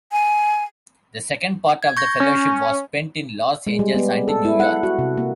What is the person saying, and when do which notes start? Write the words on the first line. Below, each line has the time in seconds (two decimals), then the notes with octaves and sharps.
The second part of the Fellowship was spent in Los Angeles and New York.
0.12 G#5
1.83 G#6
1.97 C#6 G6 A#6
2.20 C#4
3.67 G#3
3.79 G3
3.95 B3
4.28 A4
4.45 E4
4.60 F#5
4.83 F#4
4.99 C3
5.17 A#3